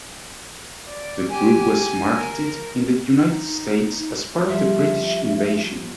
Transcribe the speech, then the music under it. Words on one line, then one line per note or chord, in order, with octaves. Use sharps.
The group was marketed in the United States as part of the British Invasion.
D5
G4 G#5
A#4
D#4
F3 G3 E5